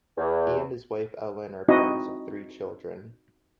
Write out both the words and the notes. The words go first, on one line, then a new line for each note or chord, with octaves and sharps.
He and his wife Ellen are parents of three children.
E2
C4 D#4 E4 F#4 D#5